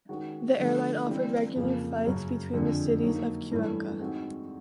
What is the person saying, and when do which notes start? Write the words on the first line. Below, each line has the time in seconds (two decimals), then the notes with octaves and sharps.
The airline offered regular flights between the cities of Cuenca.
0.09 D#3 G#3 C#4 F#4
0.58 D3 F3 A3
1.07 E3 G3 C4
1.55 F2 C#3 F3 A#3
2.05 F#2 C#3 F#3
2.53 F2 D3 F3 G#3
3.02 F#3 A#3 D#4
3.51 G2 E3 A3 C#4 E4
3.99 G#3 C4 D#4 F#4